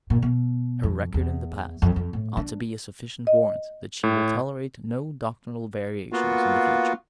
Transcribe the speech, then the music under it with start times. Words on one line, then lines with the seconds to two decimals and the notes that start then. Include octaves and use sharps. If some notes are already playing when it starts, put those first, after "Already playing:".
Her record in the past ought to be a sufficient warrant that she will tolerate no doctrinal variations in the future.
0.10 A#2
0.22 B2
0.83 F2
1.14 E2
1.82 F2
1.96 F2
2.13 A2
2.37 D4
3.27 D#5
4.03 A2
6.12 A#3 B3 F4 F#4